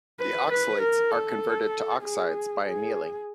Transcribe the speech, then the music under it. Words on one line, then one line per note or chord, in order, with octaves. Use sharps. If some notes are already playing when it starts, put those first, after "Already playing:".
The oxalates are converted to oxides by annealing.
B4
B4
A#4
A4
G#4
G#4